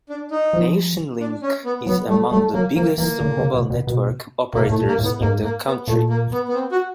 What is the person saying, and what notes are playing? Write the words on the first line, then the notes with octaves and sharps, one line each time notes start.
Nationlink is among the biggest mobile network operators in the country.
D4
D#4
F3
D4
C#4
B3
F#3 B3
G3 A3
G3 A3
F#3 A#3
F3 A#3
E3 A#3
D3
C#3
B2
B2
B2
B2 A#3
A2 A3
A#2
A#3
A2
B3
G#2 A#3
A#3
B3
A#2 A3
A#3
B3
B3
C4
F#4